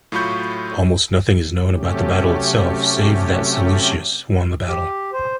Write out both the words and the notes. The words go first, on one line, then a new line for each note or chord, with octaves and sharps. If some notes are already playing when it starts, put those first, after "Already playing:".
Almost nothing is known about the battle itself save that Seleucus won the battle.
A2 F#3 F4 B5 C#6 G6
C3 F#3 A3 C#4 G4
G4
C5